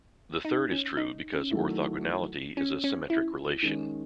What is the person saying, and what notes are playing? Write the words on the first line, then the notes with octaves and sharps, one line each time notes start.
The third is true because orthogonality is a symmetric relation.
D#4
C#4
D#4
C#4
D#3 F#3 A3 E4
C#4
C#4
E4
D#3 G#3 C#4